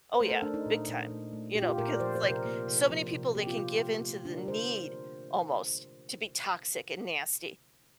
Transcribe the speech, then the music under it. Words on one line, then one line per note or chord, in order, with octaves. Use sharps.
Oh, yeah. Big time. You know, because it's like, so many people, they can give in to the need almost to be toxic and nasty.
C5
A3 A#4
A4
A3 D4
D#4
A#2
A#2
A3
A3
A#2 G4
F4
G4
A#2 A#4
D5
F3 C5
C5
C3
A#4
A#3
C3
F3
C3
A#3 G4
F4
C3 F4
A3
A3
D3 D4
A#4
D3 C5